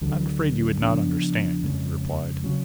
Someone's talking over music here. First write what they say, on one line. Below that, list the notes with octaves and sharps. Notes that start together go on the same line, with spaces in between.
"I am afraid you would not understand," he replied.
D2 D3 F#3
C#3 F3 B3 D4
F2 C#3 G#3 C#4
C#3 F#3